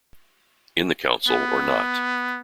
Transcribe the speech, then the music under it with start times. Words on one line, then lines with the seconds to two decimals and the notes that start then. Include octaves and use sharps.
In the Council or not.
1.28 B3